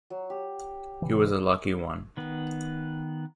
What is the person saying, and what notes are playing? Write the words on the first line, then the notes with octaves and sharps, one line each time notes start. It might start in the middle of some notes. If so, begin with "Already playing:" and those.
He was a lucky one.
F#3
G4
C3 E3
D#3 B3